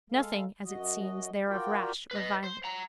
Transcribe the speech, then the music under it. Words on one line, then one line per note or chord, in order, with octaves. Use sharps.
Nothing, as it seems, there of rash or violent.
G#3 A4 F5
F#2 F#4 D#5
F4 F#4 A#4 D5 G5
B4 D#5
C5
F#5 A#5